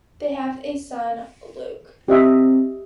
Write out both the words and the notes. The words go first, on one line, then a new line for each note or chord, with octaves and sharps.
They have a son, Luke.
C4 G4 D#5 E5